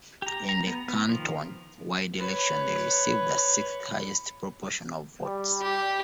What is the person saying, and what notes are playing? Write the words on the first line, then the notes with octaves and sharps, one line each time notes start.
In the canton-wide election they received the sixth highest proportion of votes.
G4 A#5
A#5
B3
B3
D#3 F3
B4 C#5
G3
G4